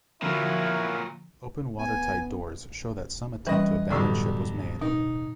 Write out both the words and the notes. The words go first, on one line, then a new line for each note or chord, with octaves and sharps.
Open watertight doors show that some attempt to abandon ship was made.
A#2 D3 F3 F#3 E4 F#4 A#4 F5
B3 G#5
E3 G3 C#4 B4 D#5
B1 F#2 A2 D3 G3 E6
B2 D#4